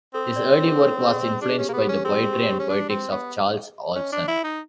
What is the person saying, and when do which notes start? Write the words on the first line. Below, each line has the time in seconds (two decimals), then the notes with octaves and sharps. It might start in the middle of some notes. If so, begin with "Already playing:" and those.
His early work was influenced by the poetry and poetics of Charles Olson.
0.14 C4 A4
0.36 D5
0.46 C#5
0.68 G#4
0.78 A4
1.10 G#4
1.42 D4 G4
1.51 G#4
1.58 C#4 G4
1.68 A#3 G#4
1.74 B3 G4
1.87 C#4 G#4
1.96 G4
2.05 C4 G#4
2.14 G4
2.24 G#4
2.33 G4
2.41 G#4
2.51 G4
2.60 C#4
2.69 D4 F#4
2.89 C4
3.12 B3
3.96 C#4
4.12 D4
4.28 E4
4.44 D#4